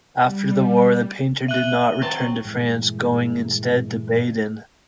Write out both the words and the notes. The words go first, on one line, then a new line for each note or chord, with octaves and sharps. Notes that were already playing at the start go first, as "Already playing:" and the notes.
After the war, the painter did not return to France, going instead to Baden.
G3
E5 F#6 D#7 F#7 G7
F#3 C4 A5
G2 A#2 E3 G#3